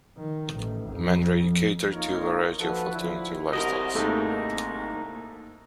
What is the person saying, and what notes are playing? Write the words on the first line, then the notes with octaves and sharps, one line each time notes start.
Manray catered to a variety of alternative lifestyles.
D#3
A1
F2
A#3 D#4 F4 A#4 C#5
F3 F#4 A4 B4
D3 F3 E4
C2 F#4 G4 A#4 D#5
G#2 A3 A#3 D#4